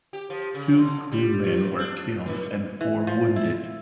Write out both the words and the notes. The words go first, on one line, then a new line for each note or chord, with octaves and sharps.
Two crewmen were killed and four wounded.
G4
F3
C#3
D3
G3
F#2
D4
D#3
E3
F3
E4